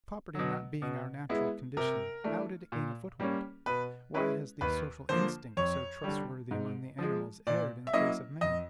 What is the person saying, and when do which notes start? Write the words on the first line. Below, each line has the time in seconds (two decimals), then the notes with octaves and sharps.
Property not being our natural condition, how did it gain a foothold? Why has the social instinct, so trustworthy among the animals, erred in the case of man?
0.35 B2 F#3
0.82 B2
1.29 G#3 B3 E4
1.77 C3 A#4
2.24 E3 A3 D4
2.72 A#2
3.20 G3 A#3 C#4
3.66 B2 B4
4.14 G#3 C#4 E4 B4
4.61 D#2 B4
5.09 D3 F3 A#3 C5
5.57 F2 C#5
6.04 D3 G3
6.51 G#2
6.99 F3 G#3
7.47 A#2 D5
7.87 E5
7.93 F#3 A#3 C#4 E4 D#5
8.41 F2 D#5